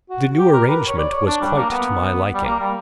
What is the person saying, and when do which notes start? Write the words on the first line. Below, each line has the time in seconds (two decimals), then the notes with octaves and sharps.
The new arrangement was quite to my liking.
0.10 F#4
0.38 G4
0.53 A#4
0.68 B4
0.88 C#5
0.98 D5
1.12 C#5
1.27 D4
1.41 G3
1.56 A#3
1.70 B3
2.34 G3
2.45 A#3
2.60 G3